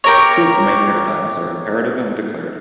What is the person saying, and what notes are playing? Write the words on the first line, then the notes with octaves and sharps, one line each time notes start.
Two of the main paradigms are imperative and declarative.
G4 A#4 C#5